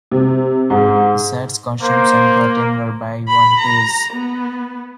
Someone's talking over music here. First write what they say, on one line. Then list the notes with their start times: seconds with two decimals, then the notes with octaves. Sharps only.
The sets, costumes, and curtain were by Juan Gris.
0.12 C3
0.70 G#2
1.81 A#3 C5
3.28 B5
3.60 A#5
4.13 B3